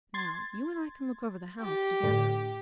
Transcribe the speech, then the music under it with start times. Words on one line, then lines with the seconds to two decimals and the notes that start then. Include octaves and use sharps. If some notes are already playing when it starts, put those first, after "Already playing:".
"Now, you and I can look over the house together."
0.14 C6 G#6 A6
1.60 G4
2.03 A2 D3